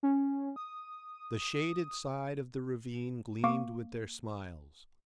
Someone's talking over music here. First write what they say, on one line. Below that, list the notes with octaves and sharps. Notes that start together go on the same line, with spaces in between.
The shaded side of the ravine gleamed with their smiles.
C#4
D#6
A#3 F5 C#6 D6